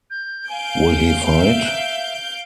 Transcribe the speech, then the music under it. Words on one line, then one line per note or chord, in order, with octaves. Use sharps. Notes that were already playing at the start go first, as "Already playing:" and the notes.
Will he fight?
G6
F5 G#5 G6 D7
E5